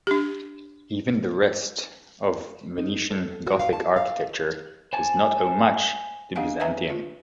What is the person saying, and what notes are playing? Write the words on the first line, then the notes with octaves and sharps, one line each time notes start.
Even the rest of Venetian Gothic architecture does not owe much to Byzantium.
D4 G4
D#4
A4
F#4
F5
A5
F5
C5 G#5 A5
D4 G4 D#5 F5 F#5 G#5
B4 E5 G5 G#5 A#5
F4